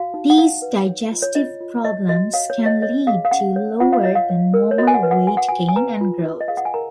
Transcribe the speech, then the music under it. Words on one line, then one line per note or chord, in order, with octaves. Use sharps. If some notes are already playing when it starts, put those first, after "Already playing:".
These digestive problems can lead to lower than normal weight gain and growth.
Already playing: F#4 F5
D#4
F#5
D#4 F5
B4
C#5
F4
C#5
F4 D#5
F4
C#5 D#5
F#4 D#5
C#5 F5
C#5
F#4
D#5
C#5 D#5
G#4 F5
F5
C#4 F#5
C#5
F4 F#5
F5
C#5 D#5
F5
C#5
A#4
C#5
F#4 D#5
G#5
F#5
B4
F#5
F#4 G#5
F#5
F#4 G#5
G#5
B4 A#5
F4
B4
D#5
G#4 F5
F#5
G#5
A#4 A#5